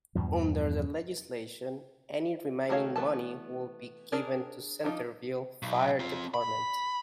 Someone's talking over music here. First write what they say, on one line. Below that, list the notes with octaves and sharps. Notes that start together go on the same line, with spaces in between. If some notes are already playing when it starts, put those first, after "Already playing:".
Under the legislation, any remaining money would be given to Centerville Fire Department.
E2 G2 B2 F3
D#3 A3 F#4 C#5 F5
E3 A3 B3 A4 A5
D4 G#4 A#4 D5
F3 D4 D#4 F4
B1
C4 F4
B5